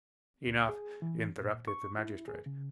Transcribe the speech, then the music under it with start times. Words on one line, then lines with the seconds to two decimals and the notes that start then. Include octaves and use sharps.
"Enough," interrupted the magistrate.
0.47 C#2
0.69 G#4
1.02 E3
1.37 A#2
1.68 C#6
1.99 E4
2.28 G#4
2.46 C#3